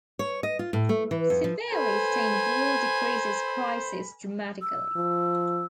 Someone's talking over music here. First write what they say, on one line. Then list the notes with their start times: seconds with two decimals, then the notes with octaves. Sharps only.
Severely stained wool decreases prices dramatically.
0.19 C#5
0.43 D#5
0.59 F4
0.73 A2
0.89 A3
1.11 E3
1.30 F2
1.44 F3
1.72 A4 B4 C5 G#5 B5
4.62 E6
4.96 F3